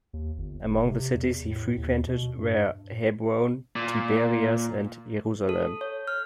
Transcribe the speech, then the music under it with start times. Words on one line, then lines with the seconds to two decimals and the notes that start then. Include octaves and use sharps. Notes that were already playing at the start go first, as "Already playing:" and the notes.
Among the cities he frequented were Hebron, Tiberias, and Jerusalem.
0.13 D#2
0.38 G1
0.65 F#1
0.85 C3
1.14 E2
1.50 A2
1.78 D#2
2.07 B2
2.39 G2
3.75 A#2
5.49 A4
5.81 C#5
6.07 F6